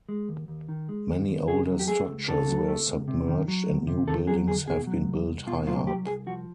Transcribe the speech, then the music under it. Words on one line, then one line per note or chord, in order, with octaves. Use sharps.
Many older structures were submerged, and new buildings have been built higher up.
G#3
D#2
D#2
D#3
G#3
D#2
D#2
C#3 G#4
F#3
G4
A3 G#4
C#2
C#3 A4
F#3
A3
C#2
C3
D#3
F#3
D2
C3
D#3 A4
F#3 G#4
D2 G#4
B2 G#4
F#3
C2
C2
B2 F4
F#3 F4
C2 G4
C2 G#4
F3 F#4